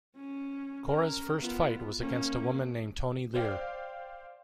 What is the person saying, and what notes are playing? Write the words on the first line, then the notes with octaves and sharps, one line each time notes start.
Cora's first fight was against a woman named Toni Lear.
C#4
C#4 A#4
B3 F4
A#3 C#4
C5 D5 F5 G5